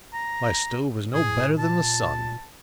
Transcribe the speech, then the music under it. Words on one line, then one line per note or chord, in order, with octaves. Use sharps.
My stove is no better than the sun.
A#5
A2 G#4
A#2 A5